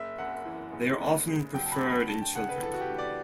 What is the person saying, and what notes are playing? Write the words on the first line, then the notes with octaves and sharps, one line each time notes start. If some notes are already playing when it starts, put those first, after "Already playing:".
They are often preferred in children.
Already playing: F#1 E5
F#2 F#5
E3
F#1
D2
C#3
F#3 G5
A5
B5
D2
B5
D2 A5
G5
C#3 F#5
B4
E3 A4
F#4
G4
D2
D5